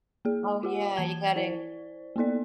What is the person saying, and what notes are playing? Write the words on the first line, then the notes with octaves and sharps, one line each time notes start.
Oh yeah, you got to
A#3 G#4
F4 G4 F#5
E3 A5 G#6 G7
E4 C5 D5
A#3 B3 D#4 A4 D5